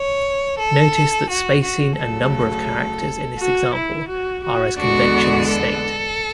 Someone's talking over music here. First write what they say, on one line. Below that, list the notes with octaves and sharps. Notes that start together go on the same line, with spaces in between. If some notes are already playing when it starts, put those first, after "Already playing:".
Notice that spacing and number of characters in this example are as conventions state.
Already playing: C#5
A4
F#4
F#4
D2 C#3 F#3 A4
F#4
E4
F#4
F#4
E2 D3 G#3 B3 D4 F#4
A4